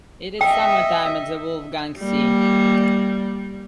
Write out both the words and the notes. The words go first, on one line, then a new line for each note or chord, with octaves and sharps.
It is summertime at the Wolfgangsee.
D#5 E5 G5
G3 A#3